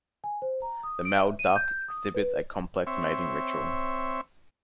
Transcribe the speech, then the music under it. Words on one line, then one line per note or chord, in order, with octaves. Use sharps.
The male duck exhibits a complex mating ritual.
G#5
C5
A#5
D#6
D7
E5
D#7
G6
D#6
B4
C4 C#5 E5